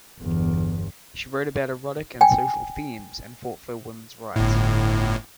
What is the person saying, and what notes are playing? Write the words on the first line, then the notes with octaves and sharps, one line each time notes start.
She wrote about erotic and social themes and fought for women's rights.
G1 E2
G5 G#5
G1 A2